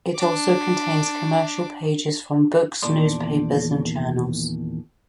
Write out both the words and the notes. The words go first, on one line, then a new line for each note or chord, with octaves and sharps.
It also contains commercial pages from books, newspapers, and journals.
D4 D6
E2 A#2 D#3 A4 D5 C6